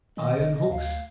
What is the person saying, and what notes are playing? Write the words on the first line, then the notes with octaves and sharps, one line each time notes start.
Iron hooks?
D#3 D#5
G1
D2 F5